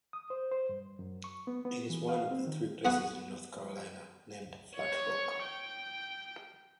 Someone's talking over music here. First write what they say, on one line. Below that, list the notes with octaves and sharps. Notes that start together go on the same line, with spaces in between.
It is one of three places in North Carolina named Flat Rock.
D#6
C5
C5
G2
F#2
C#6
B3
B3
E3
F5
C4
D#3
B3 F#4 G#4 F#5 G#5
C#5 C#6
G5